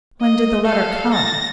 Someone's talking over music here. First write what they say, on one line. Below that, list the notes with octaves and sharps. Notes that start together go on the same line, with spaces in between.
When did the letter come?'
D#5
A4 F5
A6 A#6